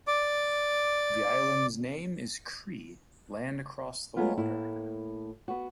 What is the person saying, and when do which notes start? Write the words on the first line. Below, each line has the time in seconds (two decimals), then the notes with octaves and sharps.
The island's name is Cree "land across the water".
0.07 D5 D6
4.16 F#3 G#3 A3 B3 F4
4.37 A2 A#3 E4
5.48 B3 F#4